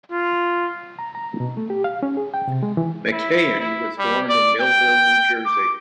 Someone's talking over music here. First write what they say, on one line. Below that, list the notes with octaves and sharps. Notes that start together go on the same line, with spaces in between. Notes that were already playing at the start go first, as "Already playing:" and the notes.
McKeighan was born in Millville, New Jersey.
F4
A#5
A#5
B2
A3
G4
F5
C#4
G#4
G5
C3
G#3
E3
E4
E4
G3
D5
G5
D6